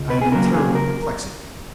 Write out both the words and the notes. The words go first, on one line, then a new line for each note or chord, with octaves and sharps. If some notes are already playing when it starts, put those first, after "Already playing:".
I am in terrible perplexity.
Already playing: C#2
B4
G#4
C#3 F#3 A#3 A#4
G#4
A#4